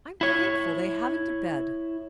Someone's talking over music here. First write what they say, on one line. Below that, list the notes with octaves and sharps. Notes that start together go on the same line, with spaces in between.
I'm thankful they haven't a bed.
E4 C#5